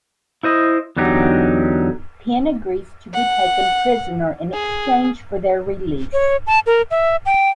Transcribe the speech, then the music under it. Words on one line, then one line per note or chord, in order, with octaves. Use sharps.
Pen agrees to be taken prisoner in exchange for their release.
E4 C5 D#5
E2 D3 F#3 D#4 G4
F#5
G#4
C#5
A5
A#4
E5
G5